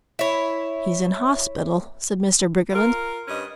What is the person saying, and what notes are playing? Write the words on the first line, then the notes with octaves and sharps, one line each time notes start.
"He's in hospital," said Mr. Briggerland.
E4 C#5
F4 A#4
G2 C#4 B4 D#5